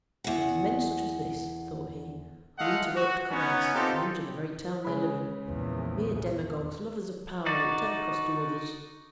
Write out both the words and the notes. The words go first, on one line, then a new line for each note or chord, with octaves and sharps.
'It is men such as this,' thought he, 'who interrupt commerce and injure the very town they live in: mere demagogues, lovers of power, at whatever cost to others.'
E2 F#5
G#3 A3 D#5 F5 F#5
F#4
B3 C#4 D#4 C#5 F#5
C4 D#4 F4 G4 A4
C#3 G#3 B5
A#1 E2
E2
D#4 F#4 D5